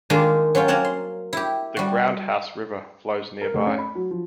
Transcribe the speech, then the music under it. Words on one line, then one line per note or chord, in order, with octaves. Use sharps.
The Groundhouse River flows nearby.
D#3 G#3 A#3 D4 D#4 F4
F#3 C#4 F4 G5
A#3 C#4 A#4 C#5 F#5 A5
C6
E4 G4
G3 F#4
A#4
F1
C#4
B5
F#3
F3